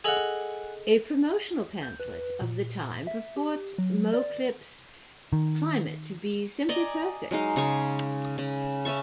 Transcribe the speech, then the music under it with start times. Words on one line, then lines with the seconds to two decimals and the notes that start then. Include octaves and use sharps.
A promotional pamphlet of the time purports Moclips' climate to be "simply perfect".
0.04 G#4 A4 D#5 F#5 G#5
1.83 G6
2.00 B4
2.42 A#2
3.07 E5
3.36 G4
3.78 F#3
4.14 D5
5.33 D#3
6.69 D5 D#5 G#5 A#5
7.31 F#3 G#3 D#4 F5
7.56 C#3 G#4 C#5 C#6
8.38 C#3
8.85 C#4 E5 A5 C#6